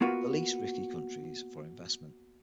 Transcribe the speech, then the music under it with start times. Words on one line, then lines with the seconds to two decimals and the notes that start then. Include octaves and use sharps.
The least-risky countries for investment.
0.01 A#3 B3 F4 F#4 A#4 B4